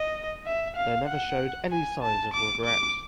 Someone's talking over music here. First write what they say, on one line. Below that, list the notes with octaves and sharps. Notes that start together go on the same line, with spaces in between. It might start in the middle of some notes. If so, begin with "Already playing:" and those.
They never showed any signs of regret.
Already playing: D#5
E5
F5
F#5
G#5
A5
D6
D6